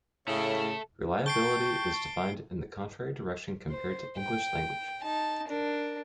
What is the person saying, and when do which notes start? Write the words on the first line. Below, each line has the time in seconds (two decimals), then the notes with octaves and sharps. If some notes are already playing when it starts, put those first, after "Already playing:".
Reliability is defined in the contrary direction compared to English language.
0.28 A2 C#3 A4 E5
1.26 G5 A5 C#6 C7 D7 G7
3.70 C5
4.17 G5
5.03 D#4 A5
5.47 D4 A#4